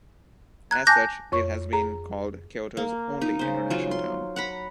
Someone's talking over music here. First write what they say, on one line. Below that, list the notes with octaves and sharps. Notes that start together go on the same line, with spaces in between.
As such, it has been called "Kyoto's only international town".
A#5 F#6 G#6
G#5 A5 D6 F#6 G6 A#6
F2 C#5 C#6
G#4 A#5
A#3
D#4
C#3 C5
F#3 F4
C6
F#5 A#5 B5